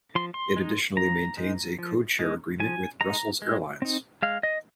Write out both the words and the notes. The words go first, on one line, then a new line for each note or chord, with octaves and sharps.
It additionally maintains a codeshare agreement with Brussels Airlines.
F3 C6
C6
G#3 D#4
F3 A#5
G#3 D#4
F3
G#3 D#4
F3 G#5
G#3 D#4 A#5
G#3
C4 D#4
G#3 F5
D#5